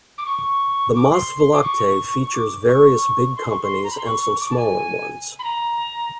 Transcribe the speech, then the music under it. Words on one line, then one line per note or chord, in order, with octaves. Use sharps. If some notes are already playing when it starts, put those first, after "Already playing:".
The Maasvlakte features various big companies and some smaller ones.
D6
C#6
D6
C6
D6
C#6
C#6
D6
C#6
C6
C#6
C6
A#5
B5
C6
C#6
D6
A5
G#5
B5
A#5